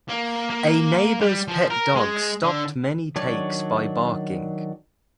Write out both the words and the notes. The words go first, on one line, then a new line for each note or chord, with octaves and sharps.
A neighbor's pet dog stopped many takes by barking.
A#3
A#3
G3
F3
A#4
G#3
D3
D#3 F#3 D4 C#5 D5